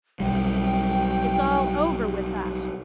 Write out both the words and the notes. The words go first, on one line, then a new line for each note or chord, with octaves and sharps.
It's all over with us.
B1 G3 G5